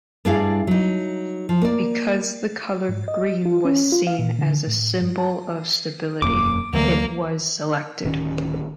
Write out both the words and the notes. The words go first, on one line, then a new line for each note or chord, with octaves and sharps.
Because the color green was seen as a symbol of stability, it was selected.
G2 G3 D4 E4 G#4 F5
F#3 D#4
F3
A#3 D5
G#2
D#5
F4
C#4
F4
F5
A#2
D3
A2
G2
A5
E1 F#2 A#3 D6
D2 D3 E3 F#3 A3 A#3 D5
D1 D#3 C#4